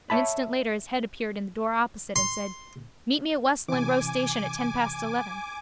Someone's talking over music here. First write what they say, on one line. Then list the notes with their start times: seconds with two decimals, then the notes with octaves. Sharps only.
An instant later his head appeared in the door opposite and said: Meet me at Westland Row station at ten past eleven.
0.10 C#5 D5 E5 A5 B5
2.16 C6
3.68 C3 E3 G#5 D6